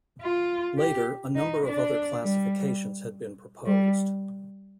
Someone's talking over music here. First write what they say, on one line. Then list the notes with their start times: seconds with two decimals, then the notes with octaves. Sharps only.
Later, a number of other classifications had been proposed.
0.22 F4
0.78 G4
1.36 D#4
1.66 D4
2.23 G3
3.66 G3